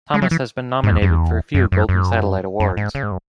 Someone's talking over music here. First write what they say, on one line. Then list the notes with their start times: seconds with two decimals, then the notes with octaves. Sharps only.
Thomas has been nominated for a few Golden Satellite Awards.
0.14 G#3
0.22 F#3
0.31 E3
0.83 G#2
0.92 E2
1.02 F#2
1.10 E2
1.54 F#2
1.72 F#2
1.89 F#2
2.60 F#2
2.77 G#2
2.95 C#3
3.03 G#2
3.12 F#2